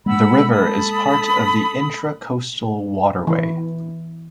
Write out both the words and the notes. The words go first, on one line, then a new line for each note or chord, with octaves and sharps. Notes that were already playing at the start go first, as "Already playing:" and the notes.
The river is part of the Intracoastal Waterway.
G#3 A#3 F#5 B5 E6
A4 B5 D#6
E3